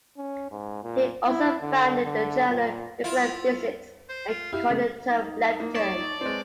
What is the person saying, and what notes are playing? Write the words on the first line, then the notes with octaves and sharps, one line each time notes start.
He also founded the journal "Nuclear Physics" and coined the term lepton.
C#4
G#2
A#2
E4
D3
D3
A#2
E4 F4
C5
F4
E4 G4 F5
C#3 A3
D#4
A#3
C#5 D5 A5
G#3 C4 B4